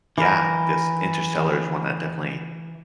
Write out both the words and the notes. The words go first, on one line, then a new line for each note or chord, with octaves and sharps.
yeah, this Interstellar is one that definitely
E3 A#4